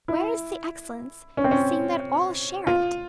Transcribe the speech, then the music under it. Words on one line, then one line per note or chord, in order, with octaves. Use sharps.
Where is the excellence, seeing that all share it?
E4
C#4
C4
C#4
F4